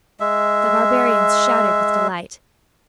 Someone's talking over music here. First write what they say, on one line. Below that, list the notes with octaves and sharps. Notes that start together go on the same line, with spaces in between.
The barbarians shouted with delight.
G#3 E5